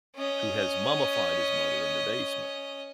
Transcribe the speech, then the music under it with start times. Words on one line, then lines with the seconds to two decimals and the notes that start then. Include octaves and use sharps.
who has mummified his mother in the basement,
0.16 C#4 D#5